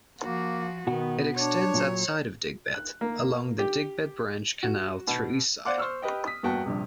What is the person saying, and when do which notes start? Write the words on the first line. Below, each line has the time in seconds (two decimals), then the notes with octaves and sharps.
It extends outside of Digbeth, along the Digbeth Branch Canal through Eastside.
0.21 F3 A#3 F#4
0.87 B2 D#3 B3 F#4
1.36 D4 C#5
1.74 A#2 F#3
2.74 F#6
3.01 A#3
3.59 G4
4.63 F#4
5.07 B2
5.65 C5 D5 F5 F#5 C6 D6
5.78 C5 C#6 E6 F6
6.02 G4 B4 D#5 G5
6.26 D#6 B6
6.43 G1 E2 A#3 F#4 G5 A5
6.66 A#1 G2 C3